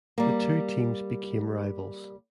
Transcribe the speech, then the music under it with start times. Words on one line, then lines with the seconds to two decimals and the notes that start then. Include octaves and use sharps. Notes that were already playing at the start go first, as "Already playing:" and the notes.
The two teams became rivals.
0.18 G3 A#3